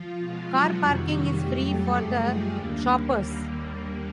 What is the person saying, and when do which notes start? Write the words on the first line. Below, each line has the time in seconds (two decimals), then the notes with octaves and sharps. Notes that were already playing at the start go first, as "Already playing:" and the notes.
Car parking is free for the shoppers.
Already playing: F3 F4
0.19 B2 G#3
0.48 F#3 F#4
0.78 F2 C3 D#3 G3
1.07 G3 G4
1.37 F2 C#3 F#3 A3
1.66 A3 A4
1.96 F#2 C#3 F3 G#3 A3 G#4
2.25 G3 G4
2.55 D#2 D3 G3 A#3